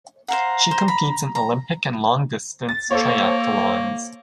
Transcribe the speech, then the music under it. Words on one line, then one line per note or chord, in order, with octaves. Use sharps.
She competes in Olympic and Long Distance Triathlons.
C5 F5 F#5 A#5
C5
B5
A#5
A6
A#3 A4 C5 C#5